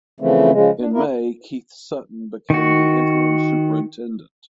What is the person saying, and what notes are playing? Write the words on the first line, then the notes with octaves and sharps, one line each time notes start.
In May Keith Sutton became the interim superintendent.
C#3 E3 F3 A3 C4
C#3 F3 G#3
D4
A#3 E4 A#4
D#3 F#4